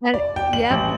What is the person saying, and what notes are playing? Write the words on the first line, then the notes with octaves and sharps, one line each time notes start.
and yep.
D5
G5
F#7
A1